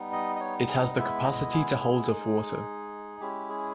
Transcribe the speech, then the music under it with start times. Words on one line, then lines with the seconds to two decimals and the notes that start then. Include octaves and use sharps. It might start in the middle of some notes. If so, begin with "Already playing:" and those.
It has the capacity to hold of water.
Already playing: G3 B3 D#4
0.12 D#5
0.36 D#5
0.40 C#5
0.69 G#4
0.83 D#5
0.96 G#3 B3 E4 E5
1.24 D#5
1.53 G#4
1.81 G#4
2.09 G#3 D#4
3.20 G#3 C#4 E4 G4
3.49 G#4